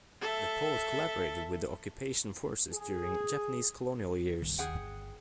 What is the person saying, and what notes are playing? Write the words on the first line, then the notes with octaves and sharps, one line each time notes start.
The poet collaborated with the occupation forces during Japanese colonial years.
A4 E5
G#4
G1 C2 D#3
D#2 G#4 F#5 G5
G1